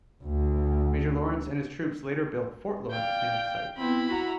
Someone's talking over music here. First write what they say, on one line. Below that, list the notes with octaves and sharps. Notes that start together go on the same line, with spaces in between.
Major Lawrence and his troops later built Fort Lawrence near the site.
D2
D5 F5 G5
B3 C4 E4 B5
F#4 A#5